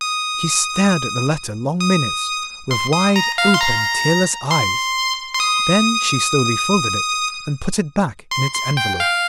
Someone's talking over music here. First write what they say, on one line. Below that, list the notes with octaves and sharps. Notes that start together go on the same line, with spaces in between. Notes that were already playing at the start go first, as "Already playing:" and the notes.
She stared at the letter long minutes with wide-open, tearless eyes, then she slowly folded it and put it back in its envelope.
D#6
D#6
C6
D#6
A#5
F5
C6
A#5
C6
C6
D#6
C6
C6
G5
F5